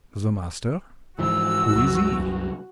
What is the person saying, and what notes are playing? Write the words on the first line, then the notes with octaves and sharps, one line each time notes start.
"The master?--who is he?"
G#2 E3 F3 F#4 E6
C2 F#2